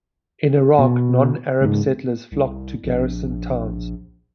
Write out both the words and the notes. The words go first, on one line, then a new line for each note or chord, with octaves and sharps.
In Iraq, non-Arab settlers flocked to garrison towns.
B2
C#2 G#2
C2
A#1